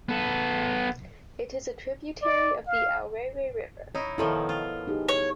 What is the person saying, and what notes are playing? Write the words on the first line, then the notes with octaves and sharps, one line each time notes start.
It is a tributary of the Aorere River.
B3 A4
D5
F5
D#4 E4 C#5
B2 D#3 F3 E4 A4 C#5
F4
D#4 G4 G#4
C#5